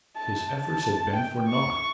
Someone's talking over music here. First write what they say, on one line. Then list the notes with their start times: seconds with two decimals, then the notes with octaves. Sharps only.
His efforts had been for naught.
0.17 A5
0.59 A5
1.17 G5
1.47 C#6